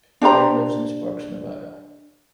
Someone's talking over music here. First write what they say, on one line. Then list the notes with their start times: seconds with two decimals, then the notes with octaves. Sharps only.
Crane lives in Sparks, Nevada.
0.21 D4 G4 C5 A#5